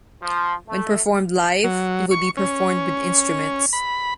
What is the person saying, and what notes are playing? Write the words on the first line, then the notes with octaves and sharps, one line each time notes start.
When performed live, it would be performed with instruments.
F3
A3
F#3
C#6
C#4
B5